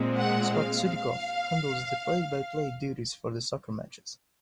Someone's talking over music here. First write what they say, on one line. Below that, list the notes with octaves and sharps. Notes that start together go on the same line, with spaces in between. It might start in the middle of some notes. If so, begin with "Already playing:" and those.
Scott Sudikoff handles the play-by-play duties for the soccer matches.
Already playing: A#2 G#3 C4
F#5
F5